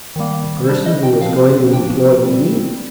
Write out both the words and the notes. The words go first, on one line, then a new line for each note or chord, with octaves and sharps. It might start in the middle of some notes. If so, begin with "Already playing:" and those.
"The person who is going to employ me?"
D#3 G3 A#3
G3 D4 C5
D#5
G5
F3 C4 F5
F3 A#3 D4 G5
G3 C4